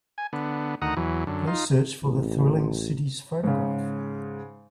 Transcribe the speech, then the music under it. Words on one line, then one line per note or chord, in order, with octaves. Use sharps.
Please search for the Thrilling Cities photograph.
G#5
D3 B3
D2 D#3 F#5 A#5 D#6
E2 E3 F#3
F#2 D3
D#4 F4
A1
G#2 C#3